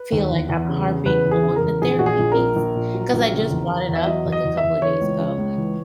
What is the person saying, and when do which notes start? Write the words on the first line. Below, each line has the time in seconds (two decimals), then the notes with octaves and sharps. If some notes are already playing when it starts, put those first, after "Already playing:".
feel like I'm harping on the therapy piece 'cause I just brought it up, like, a couple of days ago,
Already playing: B4
0.12 D#2
0.31 E2
0.49 E2
0.69 C#3
0.88 C#3
1.06 E2 B4
1.25 E2
1.31 G#4
1.43 C#3
1.56 A#4
1.62 E2
1.81 A#1 G#4
1.99 A#2 F#4
2.06 G#4
2.19 A#1
2.32 A#4
2.38 A#1
2.56 A#1
2.75 A#2
2.94 F#3
3.13 A#1
3.31 C#3
3.51 E2
3.69 E2
3.89 E2
3.96 E5
4.06 F#3 D#5
4.26 E2
4.32 D#5
4.45 E2
4.57 E5
4.64 E2
4.82 E3 C#5
5.01 C#2
5.19 C#3
5.38 C#2
5.58 E3